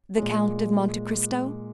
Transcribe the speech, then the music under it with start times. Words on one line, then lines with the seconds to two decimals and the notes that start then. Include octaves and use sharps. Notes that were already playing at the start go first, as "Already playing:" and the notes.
"The Count of Monte Cristo?"
0.17 A#2 G#3